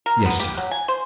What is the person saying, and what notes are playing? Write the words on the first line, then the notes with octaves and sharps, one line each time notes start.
"Yes, sir."
A#4
B3
G4
F#3
G#5
C5